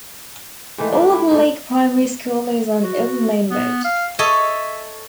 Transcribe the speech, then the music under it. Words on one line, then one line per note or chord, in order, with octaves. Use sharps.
Old Leake Primary School is on Old Main Road.
G#2 D#3 E3 A3
D4
E4
G#2 F3 A3
F#4
B3
F5
A4 C#5 D#5 E5